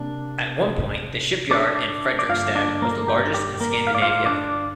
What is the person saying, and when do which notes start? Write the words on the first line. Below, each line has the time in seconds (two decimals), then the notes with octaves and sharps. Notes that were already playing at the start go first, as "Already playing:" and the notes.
At one point the shipyard in Fredrikstad was the largest in Scandinavia.
Already playing: C3 A#3 D4
1.51 D4 D5
2.19 D5
2.29 G2 D3 A#3 D4 F4 F5
2.55 D4 D5
2.82 A#3 A#4
3.08 G4
3.34 G4
3.61 A#3 A#4
3.87 F5
3.95 D5
4.02 F4 F5
4.26 D4 D5